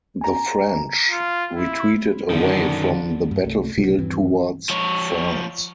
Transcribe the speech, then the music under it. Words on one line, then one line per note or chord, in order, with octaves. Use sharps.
The French retreated away from the battle field towards France.
G#5 A#5
F4
E4
F#2 D3 D#3
G2
C2 A3
B1 C3 F#3
D#1 G2 E3 C4
F3 C#5